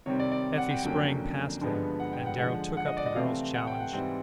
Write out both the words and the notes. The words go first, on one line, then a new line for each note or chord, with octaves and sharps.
Effie sprang past them, and Darrow took up the girl's challenge.
C3 D#3 G3 C4 C#5
D5
D5
F#5
G5
F2 D3 F#3 A#3 C#4 G5
G2 D3 F3 G#3 B3
F#5
G5
F#5
D3 F3 G#3 F#5
F#5
D#5
D5
D#5
C3 E3 A3 C4 F5
F#5
G5
F#5
G#2 E3 G3 C4